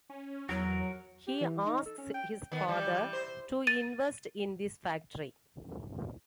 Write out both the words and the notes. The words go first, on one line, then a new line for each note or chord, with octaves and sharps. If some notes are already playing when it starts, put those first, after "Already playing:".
He asks his father to invest in this factory.
C#4
E2 F#3 F#4 A#4 F#6
G4
E3
D#4
A4
C#4
G5
D#3 B3
E3 G3
C5
A6 D#7